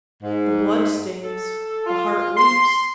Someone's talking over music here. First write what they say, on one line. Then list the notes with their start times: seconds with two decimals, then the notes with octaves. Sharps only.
The blood stings. The heart leaps.
0.22 G#2
1.22 A4
1.86 F4
2.37 C6